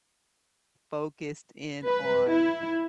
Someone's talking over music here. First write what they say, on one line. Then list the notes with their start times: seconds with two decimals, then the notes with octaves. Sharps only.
focused in on
1.87 B4
2.31 E4